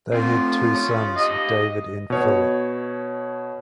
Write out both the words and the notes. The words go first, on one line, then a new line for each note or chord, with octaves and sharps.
They had two sons, David and Filip.
A3 C4 F4
C#3 C#5
G4 D#5 F5
B2 C#5